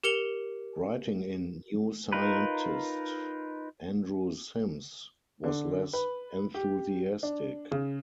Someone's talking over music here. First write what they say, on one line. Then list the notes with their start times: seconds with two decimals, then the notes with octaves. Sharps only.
Writing in New Scientist, Andrew Simms was less enthusiastic.
0.04 G4 A#4 C#7 F7 G7
2.12 D#4 F4 A#4 B4
5.44 D3
5.93 B4
6.54 G4
7.23 D4
7.71 C#3